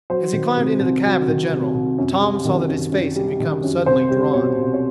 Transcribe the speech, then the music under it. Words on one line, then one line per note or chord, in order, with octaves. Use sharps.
As he climbed into the cab of the General, Tom saw that his face had become suddenly drawn.
F#3 C5
D#3
C3
C2
F#3
D#3
C3
C2
F#2
G3
D#3
F#2
F#2
G3
D#3
F#2
C2 C5
G3
B2 C#5
C2
C#5